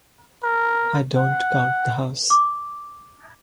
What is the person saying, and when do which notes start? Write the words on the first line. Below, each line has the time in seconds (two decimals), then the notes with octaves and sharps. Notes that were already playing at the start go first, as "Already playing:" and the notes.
I don't count the house.
0.44 A#4
1.17 F#5
2.30 D6